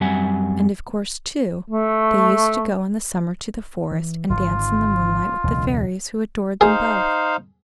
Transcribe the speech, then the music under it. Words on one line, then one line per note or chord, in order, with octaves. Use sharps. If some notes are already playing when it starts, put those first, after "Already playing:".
And of course, too, they used to go in the summer to the forest, and dance in the moonlight with the fairies, who adored them both.
F#2 G3 C4 E5 F#5 G#5
A3
E3
G#1 D3 F4
E1 C#2 F#3
D#4 G#4 C5 F5